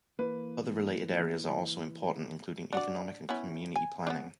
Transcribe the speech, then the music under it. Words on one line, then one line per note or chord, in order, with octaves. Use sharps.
Other related areas are also important, including economic and community planning.
E3 A#3 B4
D4 F#4 D5
B3 C#4 E4
G#5
B3 C#4 D4